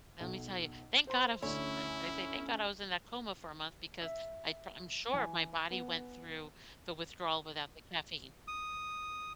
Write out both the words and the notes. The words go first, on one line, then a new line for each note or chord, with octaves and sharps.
Lemme tell you, thank god I was I I say thank god I was in that coma for a month because I pr I'm sure my body went through the withdrawal without the caffeine.
B1
C5 C6
D2 C#4 E4 C#5
E5
E3 G#5
B3
D#6